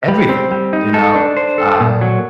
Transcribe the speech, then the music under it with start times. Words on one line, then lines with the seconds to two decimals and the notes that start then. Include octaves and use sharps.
everything, you know? Um,
0.08 G3
0.29 C4
0.51 G3
0.73 D#4
0.94 A4
1.16 D4
1.37 C5
1.58 A4
1.80 A#2
2.01 F#3